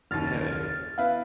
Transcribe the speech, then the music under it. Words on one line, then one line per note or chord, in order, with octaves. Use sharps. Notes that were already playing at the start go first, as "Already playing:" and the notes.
Yeah, it w
F#1 D#2 F6 A6
B3 E4 B4 F5